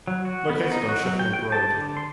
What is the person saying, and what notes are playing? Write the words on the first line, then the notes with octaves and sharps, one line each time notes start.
Located on Sheffield Road.
F#3
F#4
B3
D#4
F#4
F#3
G5
G5
A5
D3
C6